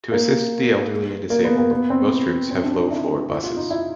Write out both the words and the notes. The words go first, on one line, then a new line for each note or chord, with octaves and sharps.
To assist the elderly and disabled, most routes have low-floor buses.
A#3
A#3
B3
A#3
B3
C4
C4
D4
D#4
E4
E4
E4
F4
D#4
E4